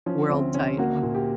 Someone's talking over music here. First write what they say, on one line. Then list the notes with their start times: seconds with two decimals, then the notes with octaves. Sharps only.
world title.
0.06 F3 C#4
0.30 D2 C4
0.54 D2 C#4
0.78 A#3 F#4
1.03 A#2
1.15 G4